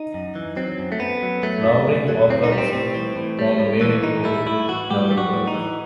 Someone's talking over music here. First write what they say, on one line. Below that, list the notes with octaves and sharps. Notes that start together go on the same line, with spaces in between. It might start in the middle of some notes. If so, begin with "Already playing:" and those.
Flowering occurs from May to November.
Already playing: D#4
F#2
E3
F#3 C4
F#2
A3
F#2 B3
F#3
F#3 A3
F#2
F#2
F#3
A2 C4
D#4
G3
C4
A2 C4
E3
A2
G3
A2
E3
A2 D#4
G3 E4
A2 E4
E3 F#4
A2 G4
G3
F#4
A2
D#4
E3